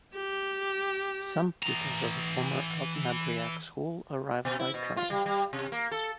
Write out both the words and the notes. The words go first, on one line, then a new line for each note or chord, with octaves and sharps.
Some pupils of the former Altnabreac School arrived by train.
G4
E3 A#5
B2
E4
B2
F4
G3
G3
C3
A#3
A4